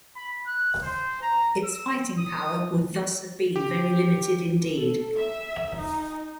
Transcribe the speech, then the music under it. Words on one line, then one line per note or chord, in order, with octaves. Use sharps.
Its fighting power would thus have been very limited indeed.
B5
F#6
C5
A#5
E6
D#6
G4
A4
E5
D#4